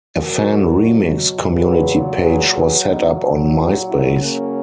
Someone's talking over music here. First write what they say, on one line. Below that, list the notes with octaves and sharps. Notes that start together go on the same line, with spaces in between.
A fan remix community page was set up on MySpace.
B2 F#3 F#4 A#4
A#2 F#3 G#4 B4
G#4 B4
G#4 B4
A#2 F#3 B3 D#4
E4 G#4
C#4 E4
C#3 F#3 A#3 C#4